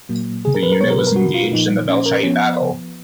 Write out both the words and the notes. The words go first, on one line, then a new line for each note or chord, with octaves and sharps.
The unit was engaged in the Belchite battle.
A#2 F#3 A#3
G#4
A#4
B4
A#4
B2 F#3 B3 C#5
A#4
B4
A#4
F#4
F4
A#2 F3 A#3 D#4
C#4
A#4
F3 B3 C#4